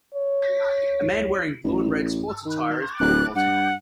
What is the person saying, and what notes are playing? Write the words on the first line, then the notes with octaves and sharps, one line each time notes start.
A man wearing blue and red sports attire is pole vaulting.
C#5
A1
D#3
D1 F#6
G2 F#5